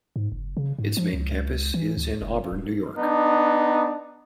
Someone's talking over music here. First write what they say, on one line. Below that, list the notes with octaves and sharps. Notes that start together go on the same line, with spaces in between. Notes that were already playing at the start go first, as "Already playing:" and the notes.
Its main campus is in Auburn, New York.
G#2
F#1
C#3
G#2
F3
C#2
E3
D2
F#1
D1
B3 D4 D#4